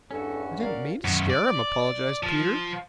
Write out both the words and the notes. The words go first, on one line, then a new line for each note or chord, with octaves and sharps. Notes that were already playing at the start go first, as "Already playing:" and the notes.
"I didn't mean to scare him," apologized Peter.
E2 G2 C#4 F#4 A4
A#4 D5 F5
F#2 D#3
D5
F3